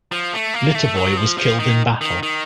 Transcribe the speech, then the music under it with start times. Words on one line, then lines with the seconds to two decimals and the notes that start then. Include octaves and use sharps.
Litovoi was killed in battle.
0.12 F3
0.33 A3
0.54 A#3
0.75 A3
0.96 F#3
1.17 F3
1.38 F3
1.59 D#3
2.01 D#3
2.23 D#3